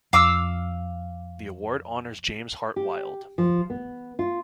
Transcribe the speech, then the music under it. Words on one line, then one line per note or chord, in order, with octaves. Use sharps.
The award honors James Hart Wyld.
F2 F5 D6 E6
G4
F3
B3
F4